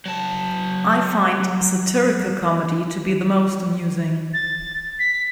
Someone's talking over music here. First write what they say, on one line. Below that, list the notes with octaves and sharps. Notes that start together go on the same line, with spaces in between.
I find satirical comedy to be the most amusing.
F#3 A5
A6
B6